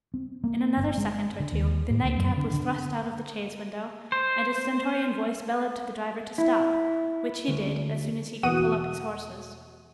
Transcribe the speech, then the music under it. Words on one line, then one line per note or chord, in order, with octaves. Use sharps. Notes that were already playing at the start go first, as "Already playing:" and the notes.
In another second or two, the nightcap was thrust out of the chaise-window, and a stentorian voice bellowed to the driver to stop: which he did, as soon as he could pull up his horses.
C4
A#3
G1
G#3
D3
D#2
A2
D2
F#2
D3
D3
C5
E4
D2
E2 B2 F#4 F#5 D#6 D#7